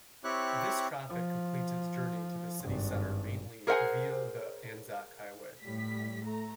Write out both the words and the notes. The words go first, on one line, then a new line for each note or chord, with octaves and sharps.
This traffic completes its journey to the city centre mainly via the Anzac Highway.
C4 E4 G4 C#5 C#6 F#6
F3
G#1 G2
G#4 A#4 C5 E5 F#5 G#5
A2 G3 B6
A3 A#5